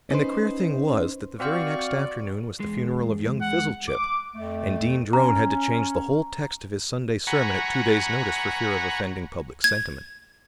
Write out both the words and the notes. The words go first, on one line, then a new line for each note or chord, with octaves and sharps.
And the queer thing was that the very next afternoon was the funeral of young Fizzlechip, and Dean Drone had to change the whole text of his Sunday sermon at two days' notice for fear of offending public sentiment.
C#4 D#4 B4 C5
C4 F#4 C5 D5 F5 C#6
E2 G#3
F#5
D6
F2 A3
C#4 A#5
F#5 G#5 A#5 B5 C#6
G#6